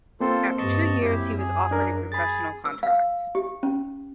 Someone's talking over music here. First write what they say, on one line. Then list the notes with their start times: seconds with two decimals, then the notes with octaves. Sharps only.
After two years, he was offered a professional contract.
0.20 A#3 C4 F4 A4 C5
0.58 G2 D#5 A5 C#6
1.01 F#2 E4 G4
1.38 G#4
1.71 D4 A#4
2.12 G#4 B5 A6
2.65 E6
2.83 F5
3.35 G4
3.63 C#4